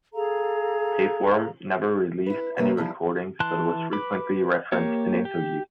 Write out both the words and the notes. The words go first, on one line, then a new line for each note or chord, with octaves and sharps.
Tapeworm never released any recordings, but was frequently referenced in interviews.
G#4 A4 F5 A#5
E4 B4
C3 A#3 B4 C#5 E5
E2 F3 G3 E4
E3 A5 C6 F#6
B4 B5 D6
A#3 G4 C#5
G4